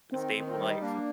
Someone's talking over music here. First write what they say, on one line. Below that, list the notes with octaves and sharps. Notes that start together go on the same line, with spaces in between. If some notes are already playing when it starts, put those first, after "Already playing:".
the stable life.
D#3 C4
D#3
C4
G3
D#4
A#3 D4